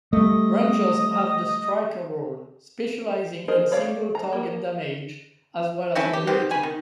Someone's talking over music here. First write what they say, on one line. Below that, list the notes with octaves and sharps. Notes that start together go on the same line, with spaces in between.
Rangers have the Striker role, specializing in single-target damage, as well as mobility.
G3 A3 D#5
G#4 A#4 C5 D#5
G3 C#5 D5 F5
A#5
F3 A#3
C4 C#4 E4 A4
G4
B2 D#3 C4 G4
G#5 B5
D#3